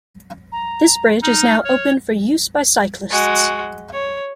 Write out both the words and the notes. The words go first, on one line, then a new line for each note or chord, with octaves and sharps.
This bridge is now open for use by cyclists.
A#5
D#4 F6
C#5
G#3 F#4
C#5